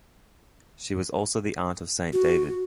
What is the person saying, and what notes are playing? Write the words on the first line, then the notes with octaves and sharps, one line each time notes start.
She was also the aunt of Saint David.
F#4